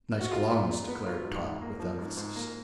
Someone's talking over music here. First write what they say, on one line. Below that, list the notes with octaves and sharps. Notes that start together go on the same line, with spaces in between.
"Nice Clowns," declared Tot, with emphasis.
F#4
G#3 F4
A#2
A#2
B3
F#3 F4
G#2
G#2
A#3
F3
G#2
G#2
A#3